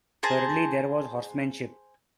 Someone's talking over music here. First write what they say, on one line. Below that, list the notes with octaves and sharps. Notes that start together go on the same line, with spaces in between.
Thirdly there was horsemanship.
G#4 C5 A5 A#5